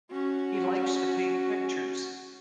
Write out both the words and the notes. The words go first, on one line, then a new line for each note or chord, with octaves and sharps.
He likes to paint pictures.
C#4 F#4